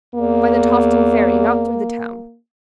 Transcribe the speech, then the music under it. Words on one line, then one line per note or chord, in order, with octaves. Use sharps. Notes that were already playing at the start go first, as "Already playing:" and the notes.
"By the Tofton Ferry, not through the town."
E2 A#3